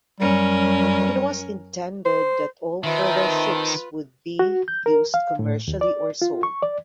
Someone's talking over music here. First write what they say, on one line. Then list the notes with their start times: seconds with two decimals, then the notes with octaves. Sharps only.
It was intended that all further ships would be used commercially or sold.
0.20 F#2 G3 C#4 A#4
2.06 C5
2.84 D#3 C4 D#4 F4 B4 E5 A5
4.39 F#4
4.68 G6
4.86 A#4
5.14 F5
5.39 A2
5.68 D#2
5.81 D5
6.22 F4
6.43 C#6
6.63 D5